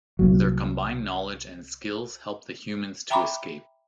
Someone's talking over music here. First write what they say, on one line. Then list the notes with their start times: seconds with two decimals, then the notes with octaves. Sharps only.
Their combined knowledge and skills help the humans to escape.
0.19 C2 A#2 F#3
3.10 E5 G5 A#5 B5 C#6 D6